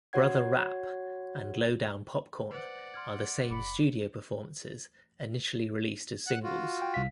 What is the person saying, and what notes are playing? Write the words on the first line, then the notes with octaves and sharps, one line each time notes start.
"Brother Rapp" and "Lowdown Popcorn" are the same studio performances initially released as singles.
F#4 C#5 F#5 G#6
B4 C5 D5 F#5
C6 F6 G#6
F#1 B5 D6 C#7
F#5 F#6
F4 F#4
G5
C2 F5 B6